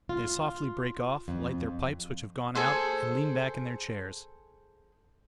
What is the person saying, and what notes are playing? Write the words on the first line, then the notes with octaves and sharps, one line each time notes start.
They softly break off, light their pipes which have gone out, and lean back in their chairs.
F4
F2
G#4 A4 C5